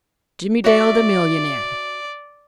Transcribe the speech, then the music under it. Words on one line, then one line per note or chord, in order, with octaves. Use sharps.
Jimmie Dale the millionaire!
F#4 D5 E5